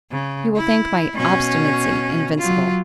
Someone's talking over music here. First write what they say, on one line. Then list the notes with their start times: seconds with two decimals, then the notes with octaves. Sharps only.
You will think my obstinacy invincible.
0.11 C#3
0.56 E4
1.14 B2 C#4
2.38 F#3 F4